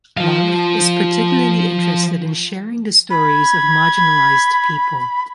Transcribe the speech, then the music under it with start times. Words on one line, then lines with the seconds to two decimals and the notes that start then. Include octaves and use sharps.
Love is particularly interested in sharing the stories of marginalized people.
0.17 F3 F5
3.10 B5 G#6